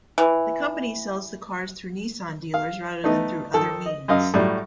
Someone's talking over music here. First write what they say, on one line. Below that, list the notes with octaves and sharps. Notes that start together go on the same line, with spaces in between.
The company sells the cars through Nissan dealers rather than through other means.
E3
F5
A3 B3 D#4
D#3 A4
D#5
F#2 D#5 F5
A2 F#3 G3